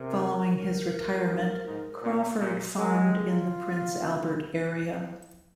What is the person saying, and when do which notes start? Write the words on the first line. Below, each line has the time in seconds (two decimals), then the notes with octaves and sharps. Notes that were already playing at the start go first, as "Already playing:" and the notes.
Following his retirement, Crawford farmed in the Prince Albert area.
Already playing: C3 A#4
0.56 A#4
1.29 G#2
1.66 G#2
2.03 A#2
2.40 A#2
2.77 G#3 A#4
2.94 F4
3.01 G4
3.26 F4